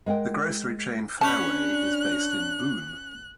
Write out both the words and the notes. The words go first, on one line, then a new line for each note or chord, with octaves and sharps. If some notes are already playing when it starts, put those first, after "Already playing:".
The grocery chain Fareway is based in Boone.
G#3 A#4 F#5 G5
C#4 D4 C#5 A5 B5 F#6